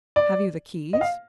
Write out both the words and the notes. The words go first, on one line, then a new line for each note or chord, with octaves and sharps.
"Have you the keys?"
D5
D#5
F5